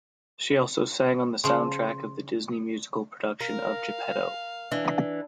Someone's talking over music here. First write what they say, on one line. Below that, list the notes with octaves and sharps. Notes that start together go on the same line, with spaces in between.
She also sang on the soundtrack of the Disney musical production of "Geppetto".
C#3 F3 C6
A#4 F5
E3 D4